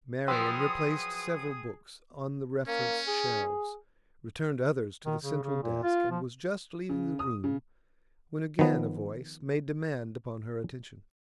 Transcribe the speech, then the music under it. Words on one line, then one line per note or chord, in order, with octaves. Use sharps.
Marian replaced several books on the reference-shelves, returned others to the central desk, and was just leaving the room, when again a voice made demand upon her attention.
F3 F#3 G#4 B4 G5 C6 D#6 E6
A#3 C#4
G#4
D#3
C#3
C#3
A#2
F4
F3
C#3
D#6
C#3
D#3 F3 B3